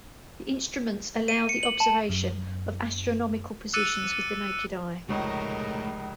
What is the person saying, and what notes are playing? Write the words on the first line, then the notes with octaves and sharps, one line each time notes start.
The instruments allow the observation of astronomical positions with the naked eye.
D#7
C#7
F#7
A5
F#2
D6 E6 F#6 A6 C#7 D#7
F1 C#2 A3 D#4 G#4 A#4 C#5